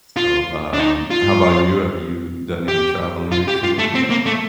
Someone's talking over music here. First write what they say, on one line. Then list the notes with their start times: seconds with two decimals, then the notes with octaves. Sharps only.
So, um, how 'bout you? Have you done any traveling recently?
0.17 F4
0.73 D4
0.80 D#4
1.11 F4
2.68 G4
3.32 F4
3.48 G4
3.64 F4
3.78 A3
3.95 C4
4.10 A#3
4.26 A3